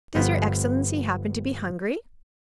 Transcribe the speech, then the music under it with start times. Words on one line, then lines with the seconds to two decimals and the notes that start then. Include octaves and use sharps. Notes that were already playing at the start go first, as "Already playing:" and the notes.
"Does your excellency happen to be hungry?"
0.15 G1 F3 B3